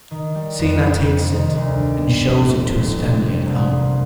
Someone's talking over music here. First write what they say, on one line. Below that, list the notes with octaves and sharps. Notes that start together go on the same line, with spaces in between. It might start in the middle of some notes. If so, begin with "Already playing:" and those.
Seina takes it, and shows it to his family at home.
D#3
G3
F2
F2
C3
D#3
D2
G3
G2
F3
G1
G1
C3
G3
C2
A#3